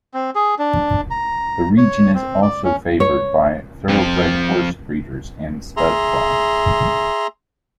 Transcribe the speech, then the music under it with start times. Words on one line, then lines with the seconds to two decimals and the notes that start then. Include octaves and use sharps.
The region is also favoured by thoroughbred horse breeders and stud farms.
0.14 C4
0.35 G#4
0.59 D4
1.10 A#5
1.77 C#5
2.15 C4
2.42 D5
2.64 C#4
3.00 C#5
3.88 F2 F3
5.77 G#4 E5 A#5 C6